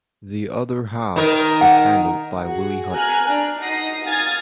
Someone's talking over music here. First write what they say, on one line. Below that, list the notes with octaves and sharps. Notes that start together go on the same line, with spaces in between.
The other half was handled by Willie Hutch.
D#3 D#4 A#4
F#5
F#4 G#4
G#5 A#5 F6 F#6
D4
D#4 F#4 A#5 D#6 A#6 C7
F5 G#5 D#6 F6 G#6 A6